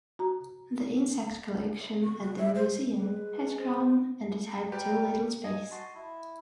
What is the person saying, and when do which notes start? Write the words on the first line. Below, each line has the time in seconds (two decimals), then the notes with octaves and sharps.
The insect collection at the museum had grown and it had too little space.
0.19 F#4 A#5
2.04 C#6
2.22 F#4
2.37 E5
2.55 C5
2.95 G#3 B4
3.58 C5
4.72 G3 G4 A#4 B4 D5 G5
5.44 D#5 G#5
5.71 F#4 A5 C6
5.95 E4